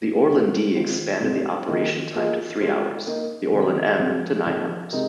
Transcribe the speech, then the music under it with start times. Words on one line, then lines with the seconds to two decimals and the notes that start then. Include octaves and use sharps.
The Orlan-D expanded the operation time to three hours; the Orlan-M to nine hours.
0.30 C3 G#3 F4
0.76 D#3 G#3 C4 F4 C5
1.22 C3 G#3 C4
1.69 D#3 A#3 G#4 D#5
2.15 A#3 F4 G#4 D#5
2.61 G#3 F4 C5 D#5
3.07 A#3 D#4 A#4
3.53 C3 D#3 G#3
4.00 C3 F3 G#3 C4 G#4
4.46 C3 F3 A#3 D#4 G#4
4.92 C3 G#3 D#4 A#4